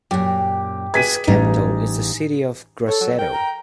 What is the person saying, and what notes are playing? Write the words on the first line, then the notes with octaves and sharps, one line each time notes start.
Its capital is the city of Grosseto.
F#2 A#2 G4
G#4 B4 E5 G#6 B6 D#7
A1 E3 G3 D#4
A4 C#5
F#3
A#4 G5
A#5